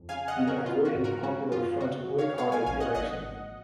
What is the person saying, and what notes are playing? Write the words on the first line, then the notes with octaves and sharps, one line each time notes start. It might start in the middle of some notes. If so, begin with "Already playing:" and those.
The Ivorian Popular Front boycotted the election.
Already playing: F2
C#3 F5 G#5
D#5 F#5
C#3
F#4 A#4
B3 F4
F#4
G#2
F#4 A#4
C#4 F#4
F#2 F4
C#3 F#4
C#3
C#5 F5
B3 C#5 F5
F5 G#5
A#1 F5 G#5
D#5 F#5
G#1 D#5 F#5
G#1